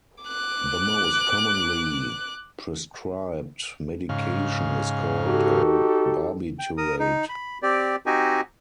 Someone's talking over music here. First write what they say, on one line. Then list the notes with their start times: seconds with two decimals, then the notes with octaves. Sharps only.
The most commonly prescribed medication is called a barbiturate.
0.24 D6 F#6
4.09 G#2 C#3 F5
5.25 D#4 F#4 G4 A4
6.59 G5
6.78 A#4 D#6
6.99 D#4
7.29 B5
7.63 C4 G4 D5
8.06 C4 D#4 F#4 G4 D#5 G#5